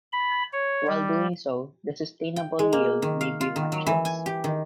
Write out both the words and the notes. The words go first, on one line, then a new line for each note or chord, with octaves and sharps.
While doing so, the sustainable yield may be much less.
B5
C#5
G3
G5
G#3
A#3
D#3
F5
F4
D#3
F#3
E3
G#5
G4
D#3